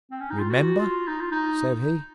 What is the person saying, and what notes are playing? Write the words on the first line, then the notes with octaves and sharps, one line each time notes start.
"Remember!" said he.
C4
C#4
D#4
F4
F#4
F4
D#4
F4
D#4